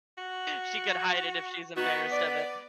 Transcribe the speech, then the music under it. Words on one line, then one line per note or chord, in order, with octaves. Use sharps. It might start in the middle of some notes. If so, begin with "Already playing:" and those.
she could hide it if she's embarrassed of it.
F#4
B3 D#4 F#4
D5